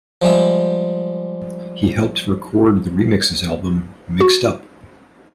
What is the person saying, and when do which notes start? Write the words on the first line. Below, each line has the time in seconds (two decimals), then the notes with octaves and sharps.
He helped record the re-remixes album "Mixed Up".
0.22 F3 G3 G#3 E5
4.20 F#4